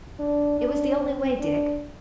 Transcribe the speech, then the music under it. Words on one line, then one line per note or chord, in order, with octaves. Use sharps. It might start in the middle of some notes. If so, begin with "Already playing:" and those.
'It was the only way, Dick.
D4
D4
C4
D4